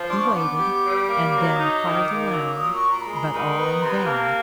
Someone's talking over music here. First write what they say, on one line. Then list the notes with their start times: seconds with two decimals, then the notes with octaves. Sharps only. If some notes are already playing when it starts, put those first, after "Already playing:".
He waited and then called aloud, but all in vain.
Already playing: F3
0.10 D4 C6
0.18 C#6
0.26 C6
0.35 B3 D6
0.59 G4
0.84 G3
1.09 A#3
1.34 F#3
1.54 D#6
1.58 D#4 D6
1.83 D#3
2.08 A#3
2.33 F#3
2.48 D6
2.57 A#2 D#6
2.74 C#6
2.82 A#2
2.90 A#5
3.01 B5
3.06 G#3
3.13 A#5
3.24 B5
3.31 D#3 A#5
3.47 B5
3.56 B3 A#5
3.81 C3 C6
3.90 B5
3.97 A#5
4.06 A#3 A5